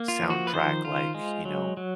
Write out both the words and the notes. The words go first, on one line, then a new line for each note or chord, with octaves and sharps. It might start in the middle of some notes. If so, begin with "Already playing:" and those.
soundtrack, like, you know
Already playing: A#3
F4
F3
F#4
B4
D#3 C5
F4
G#3
F#3
F#3